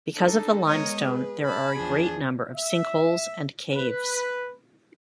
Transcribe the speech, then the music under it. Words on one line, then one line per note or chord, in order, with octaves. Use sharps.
Because of the limestone there are a great number of sinkholes and caves.
D4 D#4 A4
G#3 B3 A#4 C#5 D#5
G#4 B4
A5 B5
E2 F3 D4 G#4
E5
B4